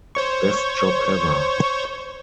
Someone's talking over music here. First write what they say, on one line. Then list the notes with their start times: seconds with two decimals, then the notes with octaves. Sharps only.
Best job ever!
0.15 C5 C#5 C#6